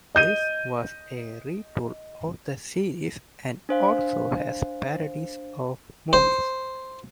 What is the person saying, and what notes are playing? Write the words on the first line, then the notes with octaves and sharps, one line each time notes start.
This was a retool of the series and also has parody's of movies.
D#5 G6 D#7
D4 C5 F5
C5